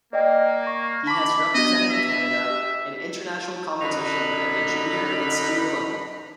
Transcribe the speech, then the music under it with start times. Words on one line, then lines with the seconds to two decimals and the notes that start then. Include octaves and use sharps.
He has represented Canada in international competition at the junior and senior level.
0.13 A#3 D5 D#5 G5
0.63 C#6 A#6
1.07 A5 B5 D6
1.54 B3 D4 D#5
1.90 E5
2.50 G4
3.81 F#2 D3 D#4 B5